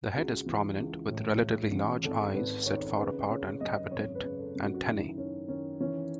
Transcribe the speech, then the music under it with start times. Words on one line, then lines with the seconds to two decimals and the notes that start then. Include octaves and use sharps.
The head is prominent, with relatively large eyes set far apart, and capitate antennae.
0.16 C#2 F#4
0.46 E3
0.79 C#2
1.10 A2
1.41 A2
1.72 A1
2.04 G#1 A4
2.34 G#1 B4
2.66 D#3 C#5
2.98 C#3 B4
3.29 C#3 C#5
3.60 F#2 D#5
3.91 G#1 C#5
4.15 B4
4.24 C#3
4.39 A4
4.55 F#2
4.62 F#4
4.74 F#4
4.86 D#3 E4
5.18 D#3 C#4
5.48 D#3 C#4
5.80 E3 C#4